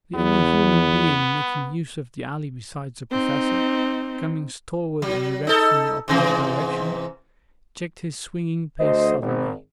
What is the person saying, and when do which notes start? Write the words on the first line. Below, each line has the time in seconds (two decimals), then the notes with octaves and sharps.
The only human being making use of the alley besides the Professor, coming stalwart and erect from the opposite direction, checked his swinging pace suddenly.
0.15 E2 B3
3.12 C4 D#4
5.02 F#3
5.47 D#4 A4
6.08 G#2 C3 E3
8.80 D2 C5 D#5
9.22 G#1